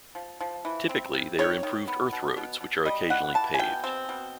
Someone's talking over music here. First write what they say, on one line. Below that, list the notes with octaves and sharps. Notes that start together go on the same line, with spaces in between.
Typically they are improved earth roads which are occasionally paved.
F3
F3
E3
C4
C3
D#3 C#5
D#3
B3
B2
B2
B2
G3 D#5
E3 F#5
E3 A5
G#5
B2 G5
C4
B2